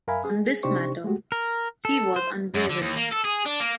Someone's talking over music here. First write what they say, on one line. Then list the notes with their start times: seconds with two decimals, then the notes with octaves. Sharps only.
On this matter, he was unwavering.
0.08 F#2 A#4 E5 F5 G#5 B5
0.25 G#4
0.63 C3 D4 D#4 G4 C5 C#6
1.04 G#3 A3 F#4 G4
1.32 A#4
1.85 A4
2.16 C5
2.54 F#2
2.70 D3
2.82 D#2
2.97 A#3
3.13 A4
3.25 G#4
3.46 D4
3.60 A#3